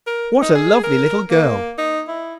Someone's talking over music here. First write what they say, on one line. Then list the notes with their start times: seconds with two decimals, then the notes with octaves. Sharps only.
'What a lovely little girl!
0.07 A#4
0.42 D#4
0.55 G#4
0.83 A#4
1.30 A#3
1.78 D#4
2.08 E4